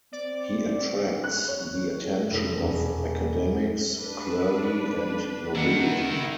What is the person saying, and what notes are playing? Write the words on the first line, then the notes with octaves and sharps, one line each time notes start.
He attracts the attention of academics, clergy and nobility.
C4 D5
F#6
C#5
F1
E1
D4 B4
D#2 D#3 E4 F#5